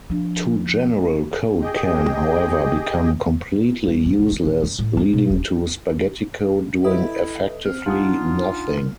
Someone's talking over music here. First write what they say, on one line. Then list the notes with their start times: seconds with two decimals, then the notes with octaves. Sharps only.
Too-general code can, however, become completely useless, leading to spaghetti code doing effectively nothing.
0.10 F3 D4
1.62 G4 G#4 D#5 G5
3.87 G3
4.05 G#2
4.19 C2
4.32 D3
4.45 A#1
4.62 F#2
4.79 A2
4.97 B3
5.13 B2
5.30 D#1
6.84 E4 A4 B4 D#5 E5 D#6
7.66 C4 F6
7.86 D4 D#4 F4 F5 F#5 G#5 D#6